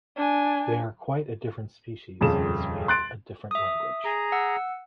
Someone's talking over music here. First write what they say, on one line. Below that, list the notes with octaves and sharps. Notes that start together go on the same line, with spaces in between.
They are quite a different species, and speak a different language.
D4 G#5
D#1 F2 C#3 E7
C6 F#6 A6 D7
E5 D#6
G#4 A#5
F#5 E6